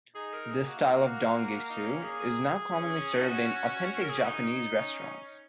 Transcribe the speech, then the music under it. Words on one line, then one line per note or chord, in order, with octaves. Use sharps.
This style of "don-gaseu" is now commonly served in authentic Japanese restaurants.
D#4 G#4
A#4
G#4
A#3 F#4
D#4
F#4
D#4
C#4
G#4
G#4
C#4
D#4
F#4
A#4
G#4
F#4
D#4
C#4